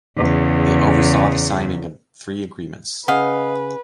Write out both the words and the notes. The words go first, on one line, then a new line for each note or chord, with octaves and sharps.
They oversaw the signing of three agreements.
E2 C#3
C#3 B4 D#5 F5 F#5